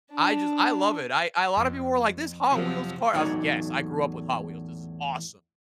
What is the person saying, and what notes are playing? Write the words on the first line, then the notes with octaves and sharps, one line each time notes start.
I just I love it. I I a lot of people were like, "This Hot Wheels car?" I was like, "Yes. I grew up with Hot Wheels. This is awesome."
D4
F2
C3 F3 F#3
E2 A2 F#3 D#4 C#5 D5